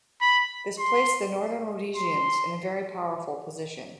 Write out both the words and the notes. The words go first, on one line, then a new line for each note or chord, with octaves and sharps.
This placed the Northern Rhodesians in a very powerful position.
B5
C6
C6